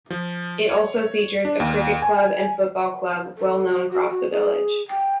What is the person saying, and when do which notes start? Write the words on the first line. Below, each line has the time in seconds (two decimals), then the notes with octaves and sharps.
It also features a cricket club and football club well known across the village.
0.10 F3
0.69 C#5
1.45 D4
1.60 D#2
2.02 G#5
3.37 A4
3.66 F#4
3.90 F#4
4.09 F#4
4.30 G#4
4.88 G5